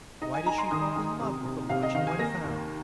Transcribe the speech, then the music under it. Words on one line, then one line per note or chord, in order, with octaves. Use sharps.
Why did she fall in love with the lodging when found?
D#4 D#5
G#5
D#4 A#5
C6
D#3 D#6
D#3
C3
C3
C3 F5
D#5
D#3 F5
G#5
A#3 A#6
D#2